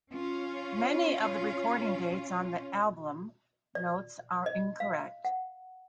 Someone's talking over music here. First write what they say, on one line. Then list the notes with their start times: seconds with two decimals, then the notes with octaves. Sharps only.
Many of the recording dates on the album notes are incorrect.
0.10 C#4 F4
3.75 D5
4.46 D#5
4.80 F5
5.25 F#5